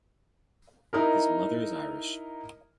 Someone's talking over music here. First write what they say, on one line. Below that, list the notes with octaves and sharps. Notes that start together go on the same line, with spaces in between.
His mother is Irish.
D#4 E4 A#4